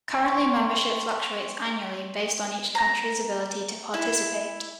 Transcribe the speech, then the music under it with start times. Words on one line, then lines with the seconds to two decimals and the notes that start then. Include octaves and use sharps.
Currently, membership fluctuates annually based on each country's ability to participate.
0.21 G5 C6 C#6
2.75 A#5
3.94 E4